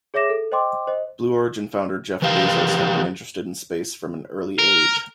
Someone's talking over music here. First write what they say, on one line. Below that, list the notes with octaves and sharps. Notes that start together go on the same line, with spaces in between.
Blue Origin founder Jeff Bezos had been interested in space from an early age.
G#4 C#5 E5 D6 A#6 E7
A4
C5 D#5 G5 C6 D6
C5 D#5
E3 F3 G4 F5
A#4